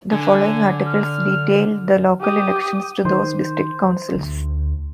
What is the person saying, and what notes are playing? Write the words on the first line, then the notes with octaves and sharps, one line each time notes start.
The following articles detail the local elections to those district councils.
D3 G#5
F6
G4 D#6
D#3 C5
D2